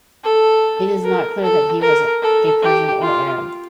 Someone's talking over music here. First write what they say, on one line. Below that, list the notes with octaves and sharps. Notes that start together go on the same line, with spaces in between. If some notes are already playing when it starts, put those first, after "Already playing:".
It is not clear that he was a Persian or Arab.
A4
A#4
A4
A#4
A4
G4
F4